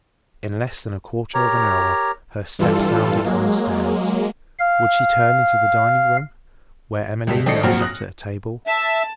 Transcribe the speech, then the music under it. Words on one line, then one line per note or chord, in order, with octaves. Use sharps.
In less than a quarter of an hour her step sounded on the stairs--would she turn into the dining-room, where Emmeline now sat at table?
G4 A#4 C#5 A#5
G2 E3 G3 F4 A4
F#3 G#3 A#3
F5 F6
C#2 G2 B6
G#1 D4 A4 D#5 C7 C#7
A#1 F#2 A#2 C4 F#4 F6
D#6 F#6 A#6
E5 A5